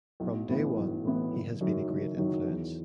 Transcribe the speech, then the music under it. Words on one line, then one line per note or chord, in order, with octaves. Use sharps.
From day one he has been a great influence.
B1
A2 E3 B3 E4
B1
A2 E3 B3 E4
F#1
F#2 D#3 F#3
F#1
F#2 D#3 F#3
E2